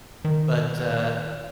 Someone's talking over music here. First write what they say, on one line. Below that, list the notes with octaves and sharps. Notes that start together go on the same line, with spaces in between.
but, uh
D#3